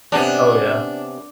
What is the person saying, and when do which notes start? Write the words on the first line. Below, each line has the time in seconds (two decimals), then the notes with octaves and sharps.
Oh, yeah.
0.12 C3 B3 C#4 D4